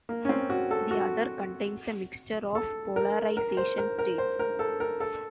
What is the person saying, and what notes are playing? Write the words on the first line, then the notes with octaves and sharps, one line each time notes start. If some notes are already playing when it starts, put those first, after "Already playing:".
The other contains a mixture of polarization states.
A#3
C#4
C4
F#4
A4
F#4
A4
A#4
A#4
C5
A#4
A#4
C5
A#4
A4
A#4
A4